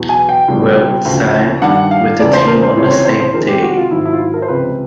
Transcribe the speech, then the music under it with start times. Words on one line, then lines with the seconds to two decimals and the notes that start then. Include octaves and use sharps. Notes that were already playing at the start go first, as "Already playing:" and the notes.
Routt signed with the team on the same day.
Already playing: E2 B2 F#3
0.09 G#5
0.29 G5
0.48 C#2 B2 G3
1.05 D2 C#3 F3
1.62 G2 D#3 G3 F#5
1.91 F5
2.19 E2 C#3 F3 A3 D5
2.33 C5
2.48 A#4
2.63 C5
2.77 C#2 C3 E3 G#3 C#5
2.84 C5
2.91 C#5
3.05 C5
3.20 C5
3.34 F2 C3 D#3 G#3 A#4
3.48 G4
3.63 F#4
3.77 F4
3.91 G#2 D#3 F#3 E4
4.06 E4
4.13 F4
4.20 E4
4.34 A#4
4.42 C5
4.48 C#2 C3 F3 B4